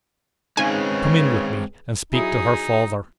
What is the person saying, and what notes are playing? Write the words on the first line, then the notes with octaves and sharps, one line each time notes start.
'Come in with me, and speak to her father.'
C#3 G#3 C4 D#4 G#4 B4 G#5
F#3 D#4 E4 G#4